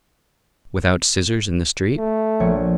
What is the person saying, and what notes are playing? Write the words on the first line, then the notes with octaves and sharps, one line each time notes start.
"Without scissors, in the street?"
A3
A#1 C#5